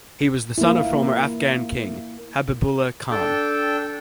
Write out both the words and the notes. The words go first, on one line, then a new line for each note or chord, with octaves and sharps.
He was the son of former Afghan King, Habibullah Khan.
A#3 E4
D4 A4 G5